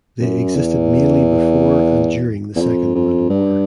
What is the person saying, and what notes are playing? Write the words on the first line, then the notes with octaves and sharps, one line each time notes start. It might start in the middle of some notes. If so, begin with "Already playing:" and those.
They existed mainly before and during the Second World War.
F#2
E2
E2
F2
F2
G2